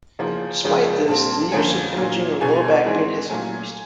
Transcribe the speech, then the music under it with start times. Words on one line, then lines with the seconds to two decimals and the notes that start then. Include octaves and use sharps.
Despite this, the use of imaging in low back pain has increased.
0.19 E2 C#3 F3 A#3
0.63 F2 C#3 F3 G#3 C#4
1.08 A#2 G3 C4 A5
1.30 A5
1.52 F2 D3 F3 A#3 C#4 G#5
1.96 A#2 F#3 A#3
2.41 E2 B2 G3 G#5
2.85 G#2 E3 G#3 C4
3.29 A#2 F#3 A3 C#4 G#5